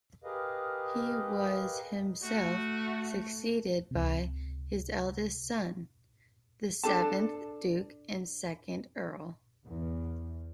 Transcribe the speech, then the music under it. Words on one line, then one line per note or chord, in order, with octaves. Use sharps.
He was himself succeeded by his eldest son, the seventh Duke and second Earl.
G4 G#4 A#4 B4 D#5 F5
A3 F#4
C#2 C3
D4 A4 A5
E2